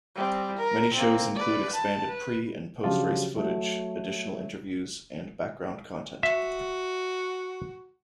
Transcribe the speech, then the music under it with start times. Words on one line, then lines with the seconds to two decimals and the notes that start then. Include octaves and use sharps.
Many shows include expanded pre- and post-race footage, additional interviews, and background content.
0.15 G3 C4
0.58 A#4
0.94 A#3 C4
1.36 B4 D5
1.74 A5
2.08 B4
2.83 C#3 F3 F#3 D4 F4 G4
3.36 F#3 A3
6.23 F#4 E5